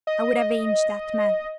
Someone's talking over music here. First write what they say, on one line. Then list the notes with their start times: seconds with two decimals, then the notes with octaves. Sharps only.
'I would avenge that man.'
0.07 D#5